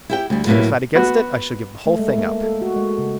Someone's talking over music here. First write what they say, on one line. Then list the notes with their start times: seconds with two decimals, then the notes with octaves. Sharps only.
If you decide against it, I shall give the whole thing up.
0.10 E4 G4 G5
0.30 D2 G3
0.46 A2 F#3 A#3 E4 B4
0.95 B3 F#4
1.86 A3
1.99 G#3
2.18 A#3
2.44 A4
2.62 F#4
2.77 G#3
2.99 C#3